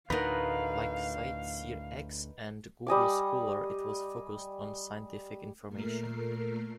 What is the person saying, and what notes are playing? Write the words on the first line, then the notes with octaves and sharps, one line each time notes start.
Like CiteSeerX and Google Scholar, it was focused on scientific information.
D2 A2 D#4 A#4 B4 F5 F#5
G3 D#5 G#5 D6
A#2 A3 A#4 C7